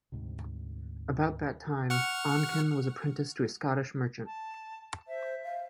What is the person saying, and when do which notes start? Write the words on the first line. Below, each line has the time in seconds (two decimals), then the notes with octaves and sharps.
About that time, Oncken was apprenticed to a Scottish merchant.
0.12 D2 G#2 C3
1.90 F#5 C#6 F6
4.26 A5
5.08 C5 E5
5.44 F5